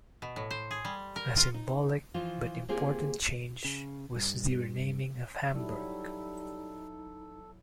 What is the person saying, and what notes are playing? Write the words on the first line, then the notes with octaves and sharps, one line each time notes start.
A symbolic but important change was the "renaming" of Hamburg.
B2
A2
C5
G#4
G3
A#4
F4
D#4
E3 F3 F4
G#3 A#3 C4 F4 G4 G#4
C#3
G2
F#3 G3 D#4 E4 A4